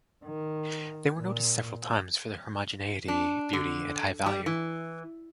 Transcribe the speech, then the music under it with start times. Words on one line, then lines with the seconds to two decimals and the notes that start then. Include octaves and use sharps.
They were noticed several times for their homogeneity, beauty, and high value.
0.24 D#3
1.18 A#2
3.08 D4
3.53 D3
4.26 G3
4.46 E3